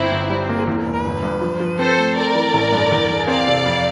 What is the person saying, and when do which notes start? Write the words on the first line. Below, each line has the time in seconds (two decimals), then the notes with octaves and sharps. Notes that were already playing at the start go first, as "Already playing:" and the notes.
He plays the guitar.
Already playing: G1 C4 E4
0.12 G1
0.30 G3 C4
0.49 A#3
0.67 E2
0.86 E1
1.05 G1
1.23 G2
1.41 F3
1.60 F3
1.79 C4 A4 C5
1.98 A3
2.16 C4 A#4 D5
2.35 E3
2.53 A1
2.72 G2
2.91 E2
3.09 E3
3.27 C4 D5 F5
3.47 C3
3.66 F2